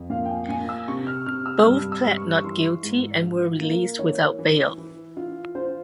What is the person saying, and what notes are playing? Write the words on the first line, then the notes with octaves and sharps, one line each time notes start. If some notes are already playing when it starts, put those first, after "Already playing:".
Both pled not guilty and were released without bail.
Already playing: F2
A#2 F5
G5
G#5
A#2 G#5
E6
C3 C#6
F6
C3 F6
E6
G2 E6
E6
G2
C#6
C#6
E3 C6
G#2
F4
A#3
E3 C#5
E3
E3
F4
F4 C5